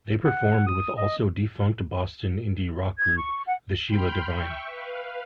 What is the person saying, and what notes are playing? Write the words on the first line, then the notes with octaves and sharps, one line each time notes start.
They performed with also defunct Boston indie rock group The Sheila Divine.
F#5
D#6
D#5
G#6
C#6
F#5
G5 B5 C6 F6 G6
E5 G5 C#6
B4 F5